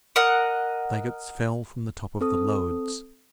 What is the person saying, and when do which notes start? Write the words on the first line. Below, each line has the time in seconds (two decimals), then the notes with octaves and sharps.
The fagots fell from the top of the loads.
0.16 A#4 D#5 F#5
2.21 C4 A4 D#6